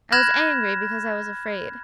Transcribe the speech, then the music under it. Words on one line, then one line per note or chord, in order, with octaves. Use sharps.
I was angry because I was afraid.
B5 F6 F#6 G#6 A#6 E7